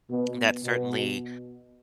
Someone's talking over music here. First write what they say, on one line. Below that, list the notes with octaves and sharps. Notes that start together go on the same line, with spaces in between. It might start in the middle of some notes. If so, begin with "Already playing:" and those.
that certainly,
B2
B2